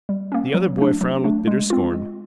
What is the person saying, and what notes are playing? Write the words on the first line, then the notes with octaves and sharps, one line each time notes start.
The other boy frowned with bitter scorn.
G3
A#3 C#4
F#3
A3 D4
F#3
A3 D4
G#3
C4 F4
G#3